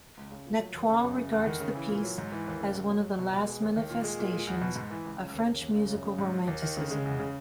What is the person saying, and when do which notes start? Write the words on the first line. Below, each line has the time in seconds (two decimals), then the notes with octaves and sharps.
Nectoux regards the piece as one of the last manifestations of French musical Romanticism.
0.17 C#2
0.32 C#3
0.45 A#2
0.60 F#3
0.74 D#2
0.89 C#3
1.04 F#2
1.18 C#3
1.33 E2
1.46 D#3
1.60 C#3
1.75 E3
1.89 A#2
2.04 F#3
2.18 G#2
2.32 E3
2.47 D#2
2.61 C#3
2.75 G#2
2.90 F#3
3.03 E2
3.19 B2
3.33 B2
3.47 G#3
3.62 D#2
3.76 D#3
3.90 A#2
4.04 G#3
4.19 A#2
4.33 G#3
4.47 E2
4.61 B2
4.76 G#2
4.90 E3
5.05 C#2
5.18 C#3
5.33 D#2
5.47 C#3
5.61 D#2
5.76 C#3
5.91 F#2
6.05 C#3
6.18 G#2
6.34 F#3
6.47 D#2
6.62 D#3
6.77 C#3
6.91 G#3
7.05 E2
7.20 C#3